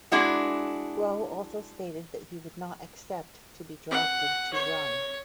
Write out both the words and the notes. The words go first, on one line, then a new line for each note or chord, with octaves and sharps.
Guo also stated that he would not accept to be drafted to run.
G#3 D4 E4 F#4
F#5
C#5